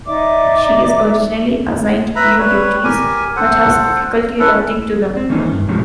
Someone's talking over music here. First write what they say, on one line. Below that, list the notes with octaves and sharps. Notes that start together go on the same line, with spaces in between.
She is originally assigned new duties, but has difficulty adapting to them.
D#4 D5 E5 D6
B4 E5 A#5 B5
G3 B4 C#5
G4 A#4 G#5
A4 C5 F#5
C#4 E4 A4 B4
C4
D#3 E3 A3 A#3 C#4 D#4
G2
B2 F3 F#3 G#3 A3 C#4